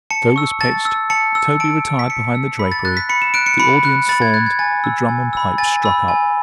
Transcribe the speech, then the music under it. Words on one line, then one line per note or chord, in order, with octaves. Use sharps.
The show was pitched, Toby retired behind the drapery, the audience formed, the drum and pipes struck up.
A5 C#7
C#6 E6
A5 A6
E6
A5 C#7
E6
A5 D7
E6
B6
A5 C#7
E6
B5 B6
A6
F#6 A6
B6
B5 C#7
E7
F#6 D7
C#7
B5 C#7
F#6
B5 A6
G#6
F#6 A6
G#6
G#5 A6
B5 E6
G#5
B5 E6
G#5 A6
B5 E6
G#5